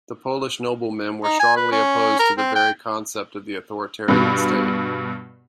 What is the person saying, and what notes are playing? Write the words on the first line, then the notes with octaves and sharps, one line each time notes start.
The Polish noblemen were strongly opposed to the very concept of the authoritarian state.
D#4
G#5
B4
C#4
A#4
C4
G5
G2 B2